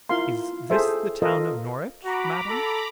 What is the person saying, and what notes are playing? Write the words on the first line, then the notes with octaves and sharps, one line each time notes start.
"Is this the town of Norwich, madam?"
E4 F4 A#4 F5 C6
G#4 A4 C5 E5
F4 A4 A#4 C5 D#5 F5
F#4 A#5 B5 D6
A4